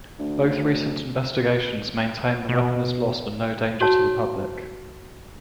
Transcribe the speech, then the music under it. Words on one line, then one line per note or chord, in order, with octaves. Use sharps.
Both recent investigations maintain the weapon is lost and no danger to the public.
D2
B2
F#4 C#5 A5